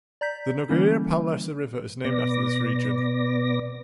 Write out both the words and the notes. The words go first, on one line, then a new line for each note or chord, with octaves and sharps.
The Noguera Pallaresa river is named after this region.
D5 A#5 G6 B6
D3 E3 G3 A#3 C#4 E4
B2 B3 D5 A#6